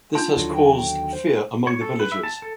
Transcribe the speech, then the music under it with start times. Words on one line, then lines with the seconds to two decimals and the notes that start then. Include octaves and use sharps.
This has caused fear among the villagers.
0.15 D4 D#4 F4 A5
0.37 D#2 D3 F#3
0.55 G5
1.13 C5
1.67 C#5
1.81 A4
2.00 B4
2.12 E5
2.23 A5
2.42 A4